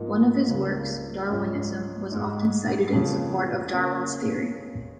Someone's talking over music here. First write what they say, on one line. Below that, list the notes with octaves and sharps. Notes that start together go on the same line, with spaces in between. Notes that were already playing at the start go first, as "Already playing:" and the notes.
One of his works, "Darwinism", was often cited in support of Darwin's theory.
Already playing: G#2 F3 A#3 D#4
C#2 C#3 A#3
G#2 F3 G#3 C#4
G#2 G#3 D#4
F2 C#3 A#3
C#3 A#3 C#4